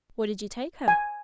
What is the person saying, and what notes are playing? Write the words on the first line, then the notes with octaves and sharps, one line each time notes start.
'What did you take her?'
G#5